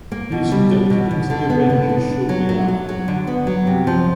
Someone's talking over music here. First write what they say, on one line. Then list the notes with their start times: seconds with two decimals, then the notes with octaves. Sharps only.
He is inducted into the Avengers shortly after.
0.12 A#3
0.32 B2
0.51 G3
0.72 D4
0.90 B2
1.11 B2
1.30 D3
1.50 B3
1.70 D3
1.89 B3
2.10 D4
2.29 F#3
2.49 F#3
2.68 F#3
2.89 F#3
3.08 D3
3.27 B3
3.47 F#3
3.67 C3
3.87 F3